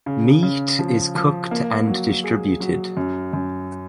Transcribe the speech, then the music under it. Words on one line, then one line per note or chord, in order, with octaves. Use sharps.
Meat is cooked and distributed.
C#3
C#3
F3
F3
A#3
F#3
G#4
F#3
F#2
F#2